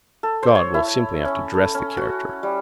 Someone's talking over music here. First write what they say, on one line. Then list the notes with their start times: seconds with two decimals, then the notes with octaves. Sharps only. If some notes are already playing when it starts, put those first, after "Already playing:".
God, we'll simply have to dress the character.
0.23 A4
0.43 C5
0.55 C#5
0.74 E4
1.25 C#4
1.54 A4
1.74 C#4
1.97 F#4
2.43 G3